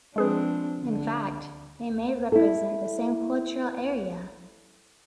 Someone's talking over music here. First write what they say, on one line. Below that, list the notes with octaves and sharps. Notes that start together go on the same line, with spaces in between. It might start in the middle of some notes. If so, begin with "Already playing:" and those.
In fact, they may represent the same cultural area.
F3 G#3 C4 D4 G#4 B4
D3
E4 A4